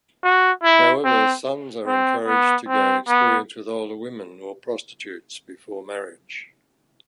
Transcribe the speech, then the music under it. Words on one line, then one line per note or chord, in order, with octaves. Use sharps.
However, sons are encouraged to gain experience with older women or prostitutes before marriage.
F#4
E4
C4
C4
B3
C4
B3